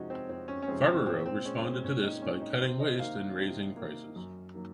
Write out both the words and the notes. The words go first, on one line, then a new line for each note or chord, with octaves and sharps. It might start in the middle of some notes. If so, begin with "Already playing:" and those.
Farberow responded to this by cutting waste and raising prices.
Already playing: F2 C3 F3 G#3 C#4 D#4 F#4
C4
F2 C4
C#4
C#4
C3 F3 G#3 C4
C4
A#2 C4
C4
G#3 C#4
C4
A#2 C#4
D#4
G#3 C#4
D#4
C3 C5
D#5
D#3 A#3 F5
C3
D#3 A#3
F#2
D#3 F#3 A#3